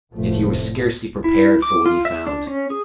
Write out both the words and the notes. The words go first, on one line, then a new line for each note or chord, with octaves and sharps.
Yet he was scarcely prepared for what he found.
F1 F2 A2 F3 A3
E4
D6
F4
E5
D4
C#4
G#4